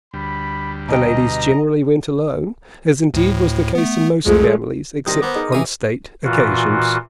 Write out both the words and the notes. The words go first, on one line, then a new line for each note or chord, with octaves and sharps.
The ladies generally went alone; as indeed was the case in most families, except on state occasions.
D2 G3 B5
B2 F#4 D#5 G5 A#5
D2 A2
A3 B3
C2 F2 F3 G#3 A3
C3 D#3 G3 D#6 A#6
B3 A#4 C5 D6
D#4 G#4 A#4
C#3 E3 D#6
A#2 E3 F4 F#4